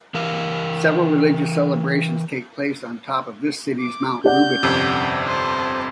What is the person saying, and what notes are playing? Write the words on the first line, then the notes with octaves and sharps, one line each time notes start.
Several religious celebrations take place on top of the city's Mount Rubidoux.
E3 A#4 F5
D6
C#4 G4 D5 F#5 G6
G1 F2 C3
C5 A5